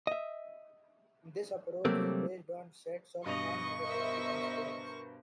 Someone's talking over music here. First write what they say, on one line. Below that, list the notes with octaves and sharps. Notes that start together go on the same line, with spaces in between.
This approach is based on sets of non-negativity constraints.
D#5 E5
C3 F#3 G3 A3 A#3 C4
G2 B2 D#5 C#6 F7
B3 A#4 C5 D#5 E5